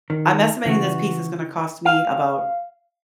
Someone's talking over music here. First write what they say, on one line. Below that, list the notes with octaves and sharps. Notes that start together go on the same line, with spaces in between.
I'm estimating this piece is gonna cost me about"
D#3
C#3 E3 F#4
F5